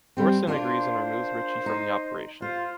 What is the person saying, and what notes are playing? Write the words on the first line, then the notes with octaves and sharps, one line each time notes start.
Thorsen agrees and removes Richie from the operation.
G3 C4
A#3 D4 F4 C5
D#4
F4 C5